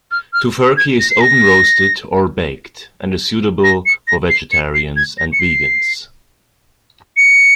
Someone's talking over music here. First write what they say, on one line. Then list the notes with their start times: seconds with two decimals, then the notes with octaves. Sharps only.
Tofurkey is oven-roasted or baked and is suitable for vegetarians and vegans.
0.11 F6
0.33 F6
0.77 G#6
1.00 A#6
1.10 C7
1.21 A#6
3.64 A#6
3.86 C#7
4.08 A#6
4.30 C7
4.52 C#7
4.74 C7
4.96 G#6
5.18 A#6
5.33 C#7
5.40 C7
7.17 C#7